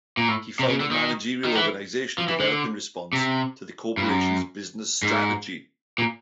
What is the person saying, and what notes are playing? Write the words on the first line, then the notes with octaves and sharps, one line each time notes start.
He found that managerial organization developed in response to the corporation's business strategy.
A#2
A2
C3
C#3
D3
D#3
D#3
E3
F3
E3
D3
C3
G2
F#2
G#2
A#2